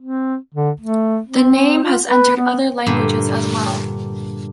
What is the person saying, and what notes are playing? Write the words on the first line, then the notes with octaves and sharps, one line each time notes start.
The name has entered other languages as well.
C4
D3
A3
C4
F4
B4
B3
G2 A#2 D3